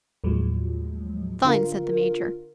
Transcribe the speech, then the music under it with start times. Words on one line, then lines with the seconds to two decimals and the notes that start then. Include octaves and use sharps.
"Fine," said the Major.
0.24 D#2 A2 F3 F#3 G#3
1.45 D3 F4 A#4